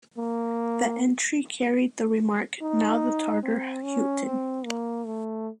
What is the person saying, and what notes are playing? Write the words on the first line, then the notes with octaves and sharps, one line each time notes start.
The entry carried the remark "Now the Tartar Houghton".
A#3
D#4
C4
C#4
C4
A#3
A3